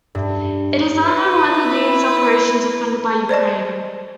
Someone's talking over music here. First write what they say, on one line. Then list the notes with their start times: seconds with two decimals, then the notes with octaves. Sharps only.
It is unknown whether these operations are funded by Ukraine.
0.15 G2
1.04 E4 B4
3.29 C5 D5 D#5 A5